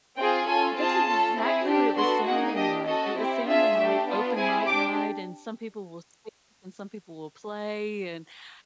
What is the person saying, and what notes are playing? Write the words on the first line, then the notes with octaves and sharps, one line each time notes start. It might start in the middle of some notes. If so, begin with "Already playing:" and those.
That's exactly what it was sounding like, it was sounding like open mic night, and some people will speak, and some people will play, and Have
C4 F4 G#4 G5
C#4 F4 A4 G#5
C4 F4 G#4 A5
C#4 F4 A4
C4 E4 G#4
D4 G4
B3 D4 F#4 A4 C6
A#3 D#4 G#4 F#5
D4 G4 D#5
C#4 F#4 A4 D#5
C4 E4 G4
D4 F4 G#4 E5
A3 D4 G4
B3 D4 F4
C4 E4 G#4 G#5
D4 G4 D6